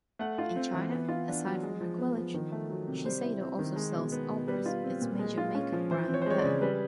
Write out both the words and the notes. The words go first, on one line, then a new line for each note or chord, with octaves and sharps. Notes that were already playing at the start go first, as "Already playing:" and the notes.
In China, aside from Maquillage, Shiseido also sells Aupres, its major makeup brand there.
A3 F#5
F4
C4
E3
B3
F4
D4
F#3
G#3
F3
B3
F3
D#3
A3
F#3
C3
G3 C5
E4
C4
D#3
G#3
B2
B3
B2
G3 B4
F4
C4
A#2
G#3
F4
C#4
F3
E3 C5
C4
C#5
C5
G#3 C#5
D5
C#3
G3 B4